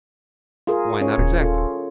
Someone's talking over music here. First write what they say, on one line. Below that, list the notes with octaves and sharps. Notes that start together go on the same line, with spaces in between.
Why not exactly?
F4 G#4 A#4
C#4 C#5
D#1
F4 A4